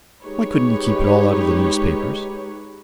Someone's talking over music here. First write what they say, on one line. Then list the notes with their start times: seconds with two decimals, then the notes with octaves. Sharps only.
"Why couldn't you keep it all out of the newspapers?"
0.23 G#3 D#4 G4 B4 C#5